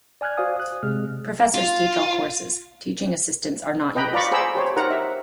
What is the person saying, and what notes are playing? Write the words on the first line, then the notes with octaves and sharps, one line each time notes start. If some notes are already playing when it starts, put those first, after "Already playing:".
Professors teach all courses; teaching assistants are not used.
D5 G#5 F6 F#6 G#6
F#4 C5 D5 F5 G#5 D#6
D#6 F#6
C3 G#3 G#4 F6
F4
B4 D#5 G5 A#5 B5
F4 D5 A#5 B5 C#6
G#4 C5 G5 A#5 B5 E6
G4 C5 C#5
D#4 G4 A#4 C5 F#5 A#5
E5